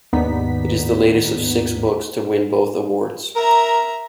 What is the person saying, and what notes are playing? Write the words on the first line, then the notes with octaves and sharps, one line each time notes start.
It is the latest of six books to win both awards.
D#2 G#2 B3 D4 D#4 B6
A#4 E5 A#5